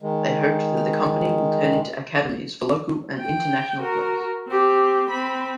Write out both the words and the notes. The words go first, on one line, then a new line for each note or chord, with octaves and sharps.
They hoped that the company will turn into academies for local and international players.
D#3 G#3
G5
F#4 A#4
C4 G4
C4 B5